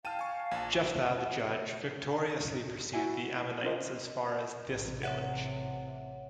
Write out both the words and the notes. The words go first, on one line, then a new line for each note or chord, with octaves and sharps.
Jephthah, the judge, victoriously pursued the Ammonites as far as this village.
F5 G5 A5 F6 D#7
G#5 C#6
A#1 G#5 A5
E4 F#4 E5 G#5
C#4 F4 A#4 C5 D#5 A#5
A1 C3
C#5 E5 F#5